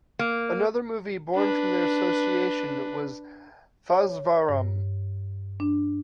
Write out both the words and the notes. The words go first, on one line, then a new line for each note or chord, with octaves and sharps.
Another movie born from their association was "Thazhvaram".
A#3
D4 B4
C#5
G2
D4